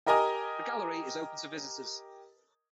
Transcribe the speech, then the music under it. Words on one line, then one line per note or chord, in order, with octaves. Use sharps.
The gallery is open to visitors.
G4 A#4 D#5 G#5 A#5 D#6